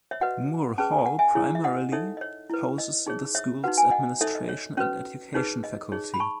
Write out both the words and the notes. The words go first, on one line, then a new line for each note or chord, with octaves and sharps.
Moore Hall primarily houses the school's administration and education faculty.
C#5 E5
F#4 B4 D#5 F#5
C#4 G#4 B4 A5
G#5
F#5
E5 G#5
E4 G#4 C#5
E5
D#5 F#5
D#4 A4 C#5 E5
D#5
C#5
E4 B4
D#5
D#4 G#4 C#5
C#5 E5
D#4 F#4 B4 F#5
G#5
D#5 F#5
D#4 A4 C#5 E5
D#5
C#5
C#4 F#4 B4 C#5
D#4 G#4 B4 C#5
D#5
D#4 G#4 C#5
B5
A5 C#6